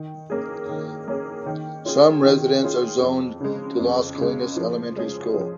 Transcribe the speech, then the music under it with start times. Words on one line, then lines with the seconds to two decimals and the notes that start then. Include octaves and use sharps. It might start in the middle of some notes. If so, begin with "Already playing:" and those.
Some residents are zoned to Las Colinas Elementary School.
Already playing: D#3
0.30 A#3 C#4 G#4
0.69 D#3
1.08 A#3 C#4 G#4
1.46 D#3
1.85 C#4 F4 G#4
2.24 D#3
2.63 C#4 F4 G#4
3.02 F2
3.40 C#3 G#3
3.79 F2
4.18 C#3 G#3
4.56 F3
4.96 G#3 C#4 G#4
5.34 F3